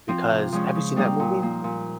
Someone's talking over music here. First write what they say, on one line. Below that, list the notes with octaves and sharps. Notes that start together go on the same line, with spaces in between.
because have you seen that movie?
F3 C4 F4
C3
F3 G#3 C#4
C#3
G3 A#3 D#4 G4
A#2
F3 A#3
A#2